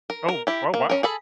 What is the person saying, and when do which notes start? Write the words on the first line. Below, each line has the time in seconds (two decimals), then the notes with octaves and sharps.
Oh, oh, wow.
0.10 A#4
0.28 A#4
0.47 E4 G4
0.74 A#3
0.90 C#4 A#4
1.03 G#4 A4 B5